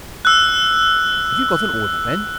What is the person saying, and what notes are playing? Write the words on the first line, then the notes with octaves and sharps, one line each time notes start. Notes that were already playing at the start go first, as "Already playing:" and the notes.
"Have you got an order, then?"
E6 F#6